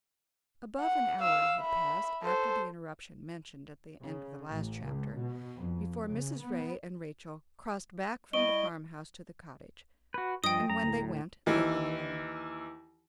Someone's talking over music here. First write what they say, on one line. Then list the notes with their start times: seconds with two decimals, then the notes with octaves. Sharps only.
Above an hour had passed after the interruption mentioned at the end of the last chapter before Mrs. Ray and Rachel crossed back from the farm-house to the cottage, and when they went they went alone.
0.80 F#5
1.22 F5 E6
1.58 E5 B5
2.22 A4 C5
4.02 C#3
4.52 A1
4.84 C#2
5.18 B2
5.58 F2
6.08 C#3
6.39 B3
8.33 G3 E4 D#5 C#6 D7 G7
10.14 F#4 B4
10.44 G2 F3 D#5 G5 D#6
10.70 F#2 A#5
10.83 D2 A2
11.46 D#2 E3